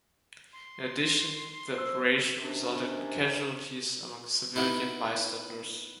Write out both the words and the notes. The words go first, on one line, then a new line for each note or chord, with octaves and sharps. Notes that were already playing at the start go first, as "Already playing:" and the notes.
In addition, the operation resulted in casualties among civilian bystanders.
C6
C5 E6
C3 D#3 C#4 D4
B3 D#4 E4